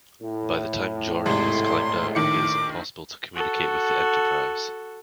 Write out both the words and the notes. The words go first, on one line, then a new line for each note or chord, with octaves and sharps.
By the time Geordi has climbed out, it impossible to communicate with the "Enterprise".
A2
G#1 C3 G#3 C6
A#1 D#3 D6 C#7
F#4 A4